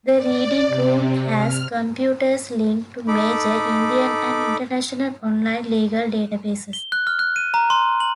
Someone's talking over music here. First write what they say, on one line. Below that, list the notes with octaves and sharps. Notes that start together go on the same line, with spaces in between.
The reading room has computers linked to major Indian and international online legal databases.
D5
C3
F6
D#4 A4 B5 D6
G7
F#6
F6
F#6
D#7
A#5
C6
F#7